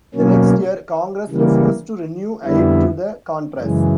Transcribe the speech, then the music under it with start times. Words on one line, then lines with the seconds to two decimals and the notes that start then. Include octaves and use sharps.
The next year, Congress refused to renew aid to the Contras.
0.14 B2 F#3 A#3 C#4
1.29 C#3 E3 G3 A#3
2.44 F2 D3 G3 B3 E4
3.59 F#2 C#3 E3 G#3